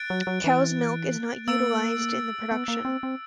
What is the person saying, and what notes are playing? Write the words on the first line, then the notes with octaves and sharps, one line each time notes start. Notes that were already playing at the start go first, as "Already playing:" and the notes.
Cow's milk is not utilized in the production.
Already playing: F#6 A6 D7
F#3
F#3
E3
A#3 E6 A6 D7
B3
A#3
C4
C4